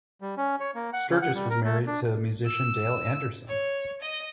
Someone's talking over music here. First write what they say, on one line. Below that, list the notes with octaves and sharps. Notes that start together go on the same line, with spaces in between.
Sturgess was married to musician Dale Anderson.
G3
C#4
C#5
A#3
F#5
C#3
F#5
G3
A#4
A3
D4
E6
C#5
D#5